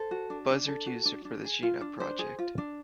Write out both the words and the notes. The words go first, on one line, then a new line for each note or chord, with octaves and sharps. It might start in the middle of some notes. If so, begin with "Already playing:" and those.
Buzzard uses it for the Xena project.
Already playing: A4 C5
F#4
D4
D4
A4
F#4
D4
D4
G#4
F4
D4
D4 C5
G#4
F4
D4